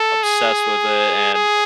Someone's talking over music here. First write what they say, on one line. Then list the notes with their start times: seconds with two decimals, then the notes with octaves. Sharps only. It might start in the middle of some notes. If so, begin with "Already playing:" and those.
obsessed with it, and
Already playing: A4
0.23 G#4
1.34 G#4